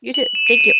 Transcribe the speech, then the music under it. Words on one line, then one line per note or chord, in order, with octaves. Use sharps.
You too. Thank you
F#7
E7
D#7
E7